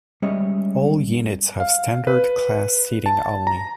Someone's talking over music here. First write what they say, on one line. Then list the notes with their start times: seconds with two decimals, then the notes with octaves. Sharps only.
All units have standard class seating only.
0.22 G3 G#3 C#4 C#5 D#5 E5
1.60 F5
2.07 B4
3.06 A5
3.47 A#5